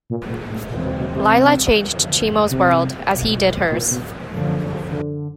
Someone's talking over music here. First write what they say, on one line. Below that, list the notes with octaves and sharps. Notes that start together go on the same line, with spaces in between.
Lila changed Chimo's world, as he did hers.
A#2
A#2
A2
D#2 A#2 C#3 E3 G#3 C4
B2
B2
C3
F#2 D3 F3
C3
C2 B2 G#3
A#2
B2
F#2 D3 F3
D3